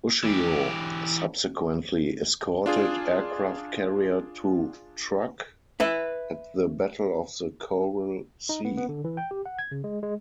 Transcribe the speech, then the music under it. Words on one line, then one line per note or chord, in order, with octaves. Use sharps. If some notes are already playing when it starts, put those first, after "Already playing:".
"Ushio" subsequently escorted aircraft carrier to Truk, at the Battle of the Coral Sea.
E3 G4
D4 F4 G#4
B4 E5
D#4
B3
B3
D3
E3
G5
G4
F#5
G#6
C#3
G#3
G#3